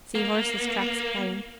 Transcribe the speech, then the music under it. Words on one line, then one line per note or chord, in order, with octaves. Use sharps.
See horse's tracks plain.
A#3